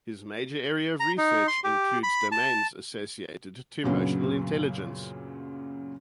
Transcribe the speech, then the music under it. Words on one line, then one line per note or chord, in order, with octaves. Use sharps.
His major area of research includes domains associated to Emotional Intelligence.
A#5
D#4
C6
G4
B5
A5
F#2 A#2 C#3 F#3 B3 D4